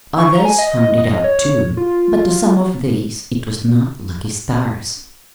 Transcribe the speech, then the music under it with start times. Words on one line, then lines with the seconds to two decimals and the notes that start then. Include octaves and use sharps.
Others found it out, too; but to some of these it was not "lucky" stars.
0.19 C#6
0.32 A#5
0.45 G#5
0.58 D#5
0.71 D#5
0.98 D#5
1.24 C#5
1.77 F4